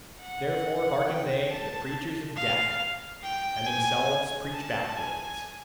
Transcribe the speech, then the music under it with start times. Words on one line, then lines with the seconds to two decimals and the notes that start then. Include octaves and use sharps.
Therefore hearken they to the preachers of death, and themselves preach backworlds.
0.20 F#5
1.06 G5
1.50 A5
2.36 F5
3.23 G5
3.67 G#5
4.54 A5
4.97 G#5